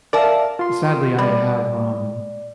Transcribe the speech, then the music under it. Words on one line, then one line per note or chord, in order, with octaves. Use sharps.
sadly, I have, um
A#4 D5 E5 F5 A5
F4 C6
G3 D5